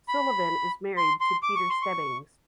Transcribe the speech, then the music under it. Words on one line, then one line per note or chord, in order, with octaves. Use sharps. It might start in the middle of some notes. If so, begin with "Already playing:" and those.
Sullivan is married to Peter Stebbings.
B5
C6
C6
D6
C#6
C6
C#6